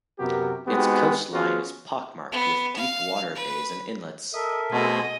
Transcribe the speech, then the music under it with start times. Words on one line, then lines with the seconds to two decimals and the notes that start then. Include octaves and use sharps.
Its coastline is pockmarked with deep water bays and inlets.
0.19 F#2 C3 B3 F#4 G4 A#4
0.67 G#3 B3 C4 D#4 F#4 G4
1.33 F3 B3 C#4 F4 F#4 G#4
2.32 B3
2.76 F5
3.35 B4
4.34 A4 A#4 D#5 E5
4.72 B2 A3 C4 G#4 D#5